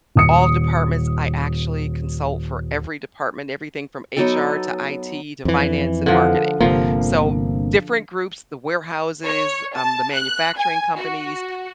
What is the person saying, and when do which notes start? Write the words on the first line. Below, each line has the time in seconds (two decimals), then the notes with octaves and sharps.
all departments, I actually consult for every department, everything from HR to IT to finance and marketing, so different groups, the warehouses, um, the manufacturing companies.
0.15 D#1 D#6 C#7
4.16 F#3 B3 D#4 A4
5.45 F2 E3
6.06 D3 F3
6.61 G1 C3 F3 A#3
9.24 C#5
9.75 A5
10.14 F#6
10.58 G#5
10.98 F#4